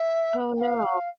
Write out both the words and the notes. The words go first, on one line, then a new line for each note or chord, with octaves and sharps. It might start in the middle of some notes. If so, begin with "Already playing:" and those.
Oh, no.
Already playing: E5
G5
F5